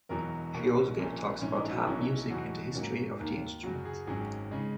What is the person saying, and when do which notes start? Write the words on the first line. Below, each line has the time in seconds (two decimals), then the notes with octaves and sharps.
She also gave talks about harp music and the history of the instrument.
0.09 E1 E2 B2 F#3 A#4
0.54 B1 B2 A#3
0.97 A#1 A#2 A#3 C#4
1.41 A#1 G#2 D#3 C#4
1.52 D#4
1.56 E4
1.71 F#4
1.87 B1 B2 F#3 A#3 C#4 E4
2.01 C#4
2.30 E2 B2 F#3 F#4
2.75 G#2 F#3 A#3 C#4
3.19 D#2 D#3 A#3
3.63 F#2 C#3 F#3 F#4
3.85 G#4
4.07 G#1 G#2 F#3 C#4 G#4
4.51 C#3 G#3